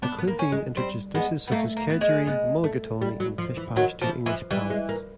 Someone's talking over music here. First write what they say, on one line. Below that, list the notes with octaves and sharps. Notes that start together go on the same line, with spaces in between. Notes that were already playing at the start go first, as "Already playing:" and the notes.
The cuisine introduced dishes such as kedgeree, mulligatawny and pish pash to English palates.
B3 D4
B3
A#3
C#4
G#3
G3 C4
G#3 B3
B3
A3 A#3
A#3
B3
G#3
B3
A3
G3
F#3
F3
E3
D#3 F#3
E3 F3
E3 F3
E3 G3
G#3
A#3